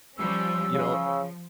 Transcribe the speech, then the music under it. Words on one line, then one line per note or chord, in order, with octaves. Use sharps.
You know
F3 G3 C#4 E6
C#3 F3